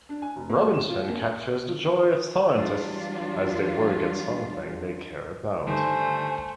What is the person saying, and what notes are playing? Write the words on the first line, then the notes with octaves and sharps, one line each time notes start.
Robinson captures the joy of scientists as they work at something they care about.
D4
G#5
F1
A#3
G3
E7
F4
A#3
E3 F#3 G3 D4 F4
G2 D3 D#3 A3 C5 G#5